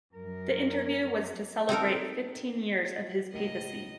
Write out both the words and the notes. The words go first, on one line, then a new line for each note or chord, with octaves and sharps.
The interview was to celebrate fifteen years of his papacy.
F#2 A#4
C4 D#4 A4 A#4
C#2 A2 A#3 D#5